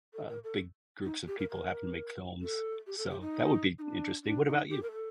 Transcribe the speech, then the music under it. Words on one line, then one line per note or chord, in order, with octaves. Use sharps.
uh, big groups of people having to make films. So that would be interesting. What about you?
A4
A#4
A4
D#4
G4
A#4
A#4
A4
G4
A4
G4
D#4
D#4
D4
D4
D#4
G4
A#4
A4